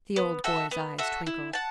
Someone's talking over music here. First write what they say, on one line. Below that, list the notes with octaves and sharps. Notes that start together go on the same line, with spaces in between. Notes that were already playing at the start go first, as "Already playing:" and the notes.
The old boy's eyes twinkled.
B3
F#4 A4 E5
B3
F#4 A4 E5
E4
F#5 A5